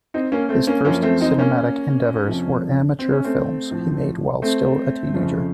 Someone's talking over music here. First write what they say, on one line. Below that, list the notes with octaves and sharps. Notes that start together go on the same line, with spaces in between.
His first cinematic endeavors were amateur films he made while still a teenager.
C4 D#4
A#3 C#4
A3 C4
A#3 C#4
F#2 F3 A#3 C#4
A3 C4
C4 D#4
A#3 C#4
F2 C3 F3
C4
C#4
A3 C4
A2 F3
A3 C4
F2 C#3 F3